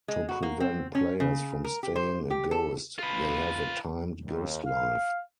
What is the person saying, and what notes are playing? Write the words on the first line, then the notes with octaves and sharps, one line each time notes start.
To prevent players from staying a ghost, they have a timed ghost life.
G#3
F#4
A#3
C4
C#4
C#3
A#4
G4
C5
G4
A4
F4 B4
D#2
F5